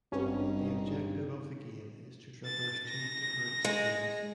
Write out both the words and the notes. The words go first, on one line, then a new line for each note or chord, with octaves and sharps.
The objective of the game is to traverse two different screens.
G#1 G2 C#4 D#4
A6
A#6
G#3